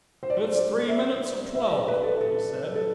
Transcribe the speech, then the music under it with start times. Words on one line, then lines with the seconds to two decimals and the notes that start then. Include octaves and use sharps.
"It's three minutes of twelve," he said.
0.23 C5
0.30 D5
0.37 C5
0.55 D5
0.89 E5
1.55 E5
1.70 D5
1.88 B4
2.03 A4
2.21 A4
2.76 A4